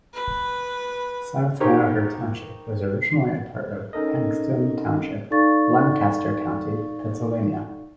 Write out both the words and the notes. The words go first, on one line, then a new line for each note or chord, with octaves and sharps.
South Hanover Township was originally a part of Paxtang Township, Lancaster County, Pennsylvania.
B4
C4 D#4 G4 A#4 C#5
C#4 D#4 A4 A#4 D#5
D#4 A4 D5 F5 C#6 A6